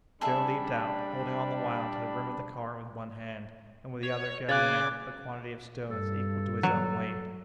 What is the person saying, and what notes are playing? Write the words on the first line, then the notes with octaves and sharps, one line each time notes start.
Joe leaped out, holding on the while to the rim of the car with one hand, and with the other gathering up a quantity of stones equal to his own weight.
G3 D4 G#4 A4 E5 B5
C#5
C#3 C#5 G#5 B5 D6 F#6 A6
G2 A4
F#3